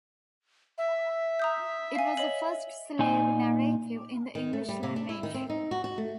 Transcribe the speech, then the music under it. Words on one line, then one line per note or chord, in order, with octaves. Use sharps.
It was the first Slave narrative in the English language.
E5
A#5 D#6 G6
F5 G#5
C#5 D#5 F#7
A#2 D#4 G#5
D#3
A3
G3
C3
D4
E4
D#3
C4
D#4
F#4
F#4
A3